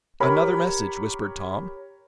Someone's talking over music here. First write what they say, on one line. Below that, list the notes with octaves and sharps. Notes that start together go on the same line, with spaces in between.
"Another message," whispered Tom.
G4 A#4 C#5 B5